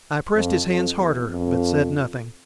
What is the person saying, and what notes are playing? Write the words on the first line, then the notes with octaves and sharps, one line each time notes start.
I pressed his hands harder, but said nothing.
F2
F2
E2
F2